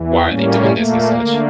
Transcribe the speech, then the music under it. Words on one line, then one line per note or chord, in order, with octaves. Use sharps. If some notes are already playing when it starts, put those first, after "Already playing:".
"Why are they doing this," and such.
Already playing: E2 E3
A2 G3 A#3 C#4
A#2 A3 A#3
D3 A3